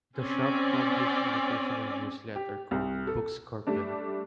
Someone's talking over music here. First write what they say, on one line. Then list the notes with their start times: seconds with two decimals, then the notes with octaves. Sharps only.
The shop published an occasional newsletter called "Book Scorpion".
0.18 C4 C#4 D5
2.35 G4
2.71 C2
3.07 A4
3.67 G3 A3 D4